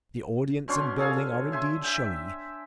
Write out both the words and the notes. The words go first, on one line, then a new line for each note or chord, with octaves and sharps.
The audience and building are indeed showy.
B2 C#4 D4 C6
G#4 A4 F5 G#5
E5 G#5 C6
E5 G5 G#5